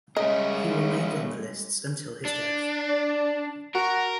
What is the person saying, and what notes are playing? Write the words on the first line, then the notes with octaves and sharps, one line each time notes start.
He remained on the lists until his death.
C#3 G3 G#3 G#4 A#4 D#5 E5
D4
D5
F#4 A#4